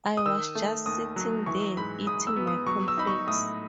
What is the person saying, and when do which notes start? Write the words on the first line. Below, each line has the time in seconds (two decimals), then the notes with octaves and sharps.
'I was just sitting there eating my cornflakes.
0.17 D#6
0.26 D#3 E6
0.55 A3
0.86 D#2 D#6
1.16 F#3
1.46 E3 C#6
1.77 G#2 B5
2.07 G#2 D#6
2.27 E6
2.36 B3
2.47 D#6
2.67 F#3 C#6
2.88 E6
2.97 D#4 B5
3.07 C#6
3.27 A2 D#6